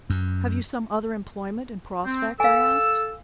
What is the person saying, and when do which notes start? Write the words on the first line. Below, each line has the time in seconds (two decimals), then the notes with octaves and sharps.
"Have you some other employment in prospect?" I asked.
0.10 F#2
2.05 C4
2.40 A4 F5 G#5 E6